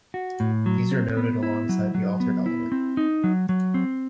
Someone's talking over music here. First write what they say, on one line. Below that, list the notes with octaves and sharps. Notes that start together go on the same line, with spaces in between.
These are noted alongside the altered element.
F#4
A2
F#3
C4
B3
E4
F#3
F#3
B3
E4
C4
D#4
F#3
F#3
C4